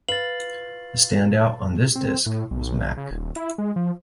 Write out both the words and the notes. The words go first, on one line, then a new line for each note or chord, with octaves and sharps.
The standout on this disc was Mac.
B4 F5 A6 F#7
C4
A2
B1
C#3
D#1
E4
G#3
F3